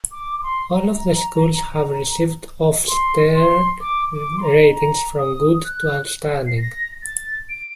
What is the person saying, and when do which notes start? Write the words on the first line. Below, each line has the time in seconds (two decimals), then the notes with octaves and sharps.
All of the schools have received Ofsted ratings from "good" to "outstanding".
0.12 D6
0.39 D6
0.43 C6
0.74 A#5
2.88 C6
3.35 C6
3.81 D6
4.11 D6
4.38 C6
4.42 A#5
4.73 A#5
5.18 D#6
5.65 F#6
6.47 C7
6.58 A#6
7.03 A6
7.49 D7